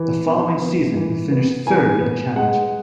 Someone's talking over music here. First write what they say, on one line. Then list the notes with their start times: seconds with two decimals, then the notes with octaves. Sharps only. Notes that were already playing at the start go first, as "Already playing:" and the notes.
The following season he finished third in the championship.
Already playing: E3
0.26 B3
0.61 B3
0.96 E3
1.31 B3
1.66 E3 G#5
2.01 B3
2.36 G#3 F#5